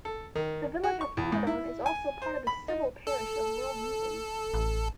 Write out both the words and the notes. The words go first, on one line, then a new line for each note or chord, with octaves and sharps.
The village of Fordon is also part of the civil parish of Wold Newton.
A4
D#3
F#4
C#6
E2
G#2
E4
G#5
C5
B5
D#4
A4
A1